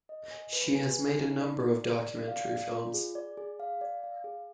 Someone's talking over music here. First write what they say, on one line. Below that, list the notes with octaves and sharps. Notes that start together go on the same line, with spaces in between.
She has made a number of documentary films.
D#5
G#5
B4
G#5
G#5
D#4
D5
D5
D5
D5
F5
D5
F4
G#4
D5
G#4
F5
D5
F5
G#4